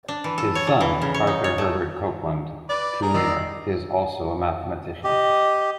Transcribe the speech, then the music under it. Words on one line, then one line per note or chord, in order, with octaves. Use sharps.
His son, Arthur Herbert Copeland, Junior is also a mathematician.
D4
E3
A4
C#5
D4
E3
C#3
C#5
D#4
C#5
A3
B4 D5 D6
G#4 A#4 A#5
D#3 D#4 D5 D#6 E6 C7
G4 D#5